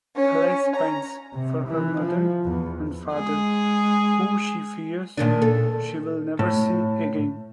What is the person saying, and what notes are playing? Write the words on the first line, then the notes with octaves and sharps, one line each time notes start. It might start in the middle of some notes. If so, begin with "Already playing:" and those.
Alice pines for her Mother and Father, who she fears she'll never see again.
C#4
A#5
C3
E3
F3
E2
G#3 G#4
A#2 D#3 D4
A4
A2